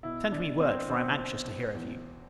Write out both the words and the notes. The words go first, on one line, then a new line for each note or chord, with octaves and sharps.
Send me word, for I am anxious to hear of you.
B2 E4
D4
B2
C4
B1 C4
B1
E2